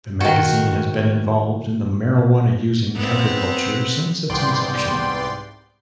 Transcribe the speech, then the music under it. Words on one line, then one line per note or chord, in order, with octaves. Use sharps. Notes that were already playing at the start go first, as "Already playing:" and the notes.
The magazine has been involved in the marijuana-using counterculture since its inception.
D#3 F#4
B3 C4
C2 G#2 B3 D5 G5 C6